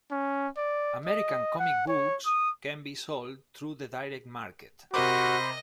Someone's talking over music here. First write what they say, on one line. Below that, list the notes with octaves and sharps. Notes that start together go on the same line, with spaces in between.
American comic books can be sold through the direct market.
C#4
D5
D#5
F#5
C#5
D#6
C3 F#4 A#4 C5 D#5 B5 D6